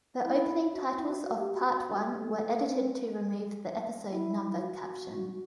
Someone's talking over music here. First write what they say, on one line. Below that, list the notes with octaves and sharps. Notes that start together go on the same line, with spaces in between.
The opening titles of Part One were edited to remove the episode number caption.
E4
F#4
E4
F#4
F#4
G4
F#4
F#4
G3
A3
C4
E4
E4
E4
F#4